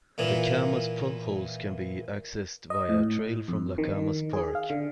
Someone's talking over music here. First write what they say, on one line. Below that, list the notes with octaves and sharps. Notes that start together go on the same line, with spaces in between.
The Camas Potholes can be accessed via a trail from Lacamas Park.
A#2 E3
D#5
A2
F2
D#3
G#4
F5
D3